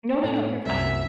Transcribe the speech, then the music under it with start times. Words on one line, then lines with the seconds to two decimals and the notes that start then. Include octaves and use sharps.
No, no, no, you're fine.
0.23 A2 C#4
0.66 C2 F#2 E5